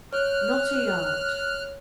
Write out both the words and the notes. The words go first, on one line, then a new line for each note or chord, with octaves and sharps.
"Not a yard."
C#5 F6 F#6